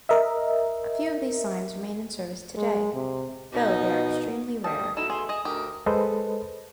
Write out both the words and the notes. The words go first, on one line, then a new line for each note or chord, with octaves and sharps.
A few of these signs remain in service today, though they are extremely rare.
A#4 D#5 E5
G#3
C3
B2 D#4
D2 G3 A5 D#6
B2 A3 D#4 E4 A4 E7
G#4 C6
G#4 D#5 D#6
D2 G4 A#4 D#6
G#3 A4 B4 C5 D#5